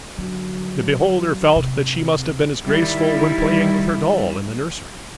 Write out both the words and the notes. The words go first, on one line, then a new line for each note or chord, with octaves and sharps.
The beholder felt that she must have been as graceful when playing with her doll in the nursery.
D3 F#3
C3
D#3 G3 E4